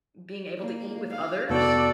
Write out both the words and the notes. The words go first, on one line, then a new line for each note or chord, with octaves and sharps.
being able to eat with others.
A#3
F5
F1 B3 F#4 A4 D5